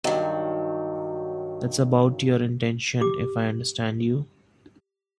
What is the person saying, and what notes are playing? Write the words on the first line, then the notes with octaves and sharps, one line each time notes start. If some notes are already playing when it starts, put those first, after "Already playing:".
That's about your intention, if I understand you?
G2 D#3 F#3 D#5
G4 D6